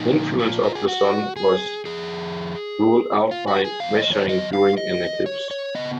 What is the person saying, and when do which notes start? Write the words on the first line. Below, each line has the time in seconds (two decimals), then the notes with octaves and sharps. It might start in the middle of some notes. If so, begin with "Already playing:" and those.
Influence of the Sun was ruled out by measuring during an eclipse.
Already playing: A#2 F3 A#3 D#4
0.39 F4
0.64 A#4
0.75 G#4
0.88 F#4
1.36 G#4
1.85 F2 F3 G#4
3.31 F4
3.48 F#4
3.64 G#4
3.80 F2 D#3 F#3 B3 F5
3.97 D#5
4.13 C#5
4.29 D#5
4.53 F5
4.78 D#5
5.26 C#5
5.51 C#5
5.75 C#3 F3 B3 D#5